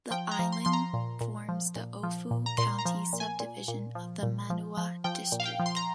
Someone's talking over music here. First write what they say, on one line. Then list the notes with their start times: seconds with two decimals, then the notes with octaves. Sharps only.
The island forms the Ofu County subdivision of the Manua District.
0.11 F3 G5
0.31 A#5
0.39 F3
0.52 C6
0.65 F3 C6
0.73 A#5
0.94 A#2
1.21 A#2
1.49 F3
1.76 A#2
2.03 F3
2.31 A#2
2.46 A#5
2.58 A#2 C6
2.79 A#5
2.85 F3
3.13 A#2
3.20 G#5
3.40 A#2
3.68 A#2
3.95 F3
4.23 A#2
4.50 F3
4.77 F3
5.04 F3 G5
5.32 A#2
5.40 F5
5.45 G5
5.60 F3
5.66 C6
5.76 A#5